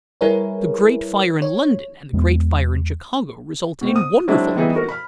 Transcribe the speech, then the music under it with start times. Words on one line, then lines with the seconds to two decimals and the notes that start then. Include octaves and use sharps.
The great fire in London and the great fire in Chicago resulted in wonderful improvement.
0.21 G3 E4 G#4 A#4 B4 C#5
1.42 C#5
2.13 E2 G#3 B3
3.81 B2 C4
3.96 D#6
4.28 F#3 G#3 C4 D4 E4
4.55 E3 G3 B3 D#4 E4 G#4
4.75 F#4 A#4
4.89 B5 F6